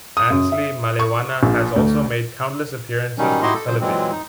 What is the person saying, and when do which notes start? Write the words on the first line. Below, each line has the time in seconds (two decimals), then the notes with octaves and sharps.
Annesley Malewana has also made countless appearances on television.
0.17 D#6
0.31 F#2
0.52 E5
0.99 C#6
1.43 A#1
1.76 D2
3.18 D#3 F#3 G3 C#4 D#4
3.43 D#4 E4 F#4 G4 D#5 C6
3.54 A4
3.67 C#3 F#3 C5
3.81 A#2 E3 F#3 G#3 C4
4.11 D#4